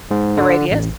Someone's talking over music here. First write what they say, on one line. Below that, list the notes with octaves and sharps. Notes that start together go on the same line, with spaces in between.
The radius.
G#2
D3
A1